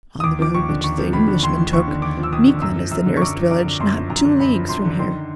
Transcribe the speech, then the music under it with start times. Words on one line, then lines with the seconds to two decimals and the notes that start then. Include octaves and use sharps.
"On the road which the Englishman took, Miquelon is the nearest village, not two leagues from here."
0.20 D#6
0.24 D#2 D6
0.39 F3 D6
0.54 D#2 C#6
0.69 D3
0.84 D#2 C#6
0.98 F3
1.13 D#2 B5
1.28 D3
1.43 D#2 C6
1.58 F3
1.73 D#2 C#6
1.88 D3
2.02 D#2 D6
2.17 F3
2.23 E6
2.32 D#2 D#6
2.47 D3
2.62 F#2 E6
2.76 F3
2.91 F#2 E6
3.06 D3
3.17 C#6
3.21 F#2 D6
3.36 F3
3.51 F#2 D6
3.65 D3
3.80 F#2 C6
3.95 F3
4.10 F#2 A#5
4.25 D3
4.40 F#2 B5
4.54 F3
4.69 F#2 C6
4.85 D3
4.99 D#3 C6